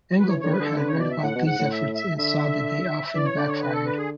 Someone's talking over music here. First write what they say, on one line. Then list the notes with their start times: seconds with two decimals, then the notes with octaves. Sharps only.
Engelbart had read about these efforts and saw that they often backfired.
0.19 B4
0.23 F#3
0.28 E3 C#5
0.40 D3 C#5
0.52 B4
0.59 D3 G#4 A4
0.76 D3 B4
0.87 C#5
0.92 C#3
0.99 B2 D5
1.11 E5
1.23 A2 F#5
1.35 B2
1.46 G#2 F#5
1.59 A2
1.71 E5
1.95 E5
2.18 D3 E5
3.14 E3 D5
3.25 C#5
3.37 D3 D5
3.49 C#5
3.62 B4
3.73 A4
3.85 B4
3.97 G#4